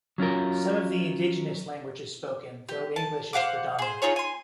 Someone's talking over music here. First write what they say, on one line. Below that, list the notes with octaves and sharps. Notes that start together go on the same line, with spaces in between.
Some of the indigenous language is spoken though English is predominant.
F#3 C#4 F4 A#4
G4
A5
C5 F5 F#5 D6
G#4 C5
D#4 F4 G#4 C#5
G#5 C6